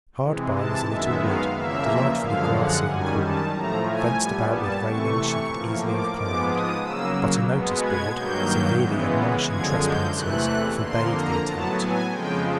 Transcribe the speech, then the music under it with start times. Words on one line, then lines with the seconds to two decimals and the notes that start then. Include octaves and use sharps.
Hard by was a little wood, delightfully grassy and cool, fenced about with railings she could easily have climbed; but a notice-board, severely admonishing trespassers, forbade the attempt.
0.22 C3 E3 G#3
0.55 A5
0.88 F#2 D#3 G#3 B3 E5
1.21 F5
1.54 E2 C#3 F3 A#3 E5
2.20 F#2 D3 F3 G#3 F5
2.53 F#5
2.86 F#2 D#3 G3 G#5
3.19 A5
3.52 A2 F3 A3 A#5
3.85 G#5
4.18 A#2 G3 B3
4.51 A5
4.84 C3 E3 A3 C#6
5.50 A2 F3 A#3
5.83 D6
6.16 G#2 F3 G#3 B3 D6
6.49 D#6
6.82 C#3 F#3 A#3 E6
7.48 B2 G#3 B3
7.81 G#6
8.14 G2 D#3 F#3 A#3 G6
8.81 C#3 E3 G#3 B3
9.46 F#2 D3 F3 G#3 G#6
9.80 G6
10.12 E2 C3 E3 A3 F#6
10.79 F2 D3 F3 A#3 C6
11.12 A#5
11.45 A2 F#3 B3 A5
11.78 G#5
12.11 F2 C#3 F3 G#3 G5